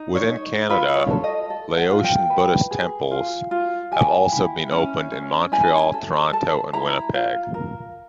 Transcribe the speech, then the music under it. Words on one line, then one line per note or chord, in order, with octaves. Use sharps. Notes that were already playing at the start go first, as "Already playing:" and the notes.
Within Canada, Laotian Buddhist temples have also been opened in Montreal, Toronto, and Winnipeg.
Already playing: D#4
C#5
D#4
F4 B4
C#5
A4
D#5
A4
F#5
F4
G5
B4
G#4
F4
F4
G4 G#5
E4
C#4
C#4
E4 G#5
A4
A4 A5
E4 A#5
F4
A#4